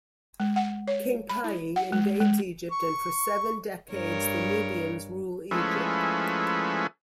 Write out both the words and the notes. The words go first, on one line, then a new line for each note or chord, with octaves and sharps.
King Piye invades Egypt and for seven decades the Nubians rule Egypt.
G#3
F#5
C#5
B5
E4
F#5
G#3
G#3
C#6
G2 A#4 C#5
F3 G#3 A3 C#4 E4 B4